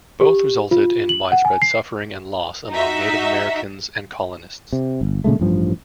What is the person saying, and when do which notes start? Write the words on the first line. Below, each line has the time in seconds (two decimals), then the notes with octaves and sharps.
Both resulted in widespread suffering and loss among Native Americans and colonists.
0.21 G4
0.71 F4
1.09 F#7
1.32 F#5
1.45 G#5
1.62 C7
2.71 D#4 F#4 E5
4.73 C3
5.01 G1
5.24 A#2 C#3 G#3 A3
5.40 A1 G2 F3